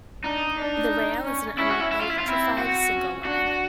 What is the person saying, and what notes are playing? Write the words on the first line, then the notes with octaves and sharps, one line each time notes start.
The rail is an unelectrified, single line.
D4 D#4
D4
C#4
C#4 E4
F#4
E4
E4
F4
E4
F4
C4 E4
F#4
C#4
D4 F#4